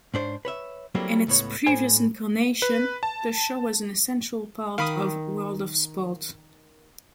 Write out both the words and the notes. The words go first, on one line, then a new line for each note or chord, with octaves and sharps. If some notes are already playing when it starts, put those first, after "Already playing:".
In its previous incarnation, the show was an essential part of "World of Sport".
G#2 D4 C5 C#5
B4 C#5 E5
F#3 G3 A#3 C4 E4 A4
C#2 A2 B3 C#5
A2 C5 G#5
B4
A5
D#3 F5 B5 D#6